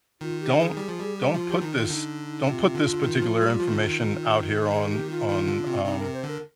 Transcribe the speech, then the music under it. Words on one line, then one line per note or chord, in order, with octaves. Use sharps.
don't don't put this don't put this particular information out here on on, um,
D#3 F4
G4
G#4
G3
F3
G3
F3 F4
G4
D#3 D#4
F4
D3 D#4
C3 F4
D3
D#3
F3
G3
F3
D#3
D3
D#3
G#4
G4
F4
D#3
D3
C3
C3 D#4
A#4
C3
C5
D3 A#4